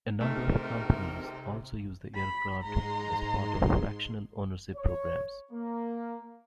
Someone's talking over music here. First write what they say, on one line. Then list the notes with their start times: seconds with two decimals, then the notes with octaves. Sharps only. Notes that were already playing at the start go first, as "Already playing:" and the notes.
A number of companies also use the aircraft as part of fractional ownership programs.
0.21 D2 G#2 C3 A3 C4 D#4 A#4
2.15 B5
2.62 G#2 G#3 A#5 C6
4.76 C#5
5.52 A#3